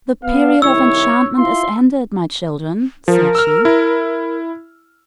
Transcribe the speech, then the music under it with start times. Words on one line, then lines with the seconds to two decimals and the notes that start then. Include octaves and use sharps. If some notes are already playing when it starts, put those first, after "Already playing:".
"The period of enchantment is ended, my children," said she.
0.23 B3 F5
0.62 C2 D#3 E4 C#5 E6
1.37 E4 F4 C6
3.08 F3 A#4
3.35 E6 F6
3.65 E4